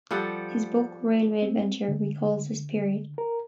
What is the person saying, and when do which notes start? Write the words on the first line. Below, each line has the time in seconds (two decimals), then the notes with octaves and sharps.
His book "Railway Adventure" recalls this period.
0.11 F3 G3 A4 F#5
1.42 C4
1.88 D3
3.18 A#4